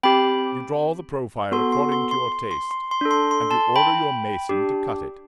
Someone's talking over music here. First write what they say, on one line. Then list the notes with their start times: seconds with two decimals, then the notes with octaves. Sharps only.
You draw the profile according to your taste, and you order your mason to cut it.
0.03 C4 G4 G5 B5
1.52 B3 F#4 A4 C6
1.72 C6
1.92 C6
2.11 C6
2.32 C6
2.51 C6
2.71 C6
2.91 C6
3.01 D4 A4
3.11 C6
3.31 C6
3.51 A5 C6
3.76 G5 B5
4.49 D4 G4